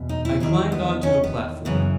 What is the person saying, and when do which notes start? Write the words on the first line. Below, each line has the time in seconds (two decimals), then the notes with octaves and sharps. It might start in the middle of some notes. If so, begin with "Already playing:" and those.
I climbed onto the platform.
Already playing: E2 B2
0.09 D#4
0.25 E4
0.40 E2 D#3 E4
0.72 B3
1.03 C#4
1.24 B3
1.65 F#2 C#3 E3 B3